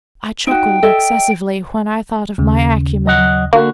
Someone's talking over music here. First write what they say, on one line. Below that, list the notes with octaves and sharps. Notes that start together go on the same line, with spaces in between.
I chuckled excessively when I thought of my acumen.
D#4 F#4 G5
A4 D#5 E5
D#2 C#3
F#3 D#5 F#5
D3 A#3 F#4